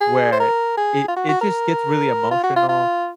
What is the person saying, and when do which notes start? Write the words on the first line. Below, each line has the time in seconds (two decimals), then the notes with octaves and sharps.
where it it just gets really emotional,
0.01 G#4
0.32 C5
0.40 A#4
0.77 G#4
1.08 F4
1.16 F#4
1.29 F#4
1.41 A#4
2.31 F4
2.44 F#4
2.56 F4
2.69 F4